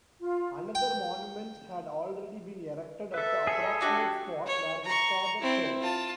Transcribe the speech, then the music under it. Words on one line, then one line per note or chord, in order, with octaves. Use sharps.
Another monument had already been erected at the approximate spot where his father fell.
F4
G5
A4 B4 E5
G#4 A4 C#5
D4 F#4 G4
C#5
A#5 C#6
C4 E4
F4 A5